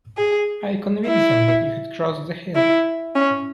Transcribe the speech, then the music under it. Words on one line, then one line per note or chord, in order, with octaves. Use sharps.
I convinced them that you had crossed the hill.
G#4
E4
E4
C#4